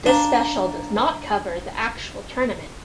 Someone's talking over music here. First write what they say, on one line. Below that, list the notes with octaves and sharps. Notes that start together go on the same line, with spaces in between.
This special does not cover the actual tournament.
D4 F5 A#5